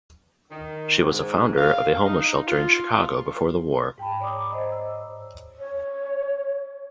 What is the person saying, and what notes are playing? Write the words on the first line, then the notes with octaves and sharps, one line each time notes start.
She was a founder of a homeless shelter in Chicago before the war.
D#3
G#2
F5
D#4
F4
G#2 G5 A5 B5
C#5 D5 A#5 D6 D#6
C5 D#5 A#5
E6
C#5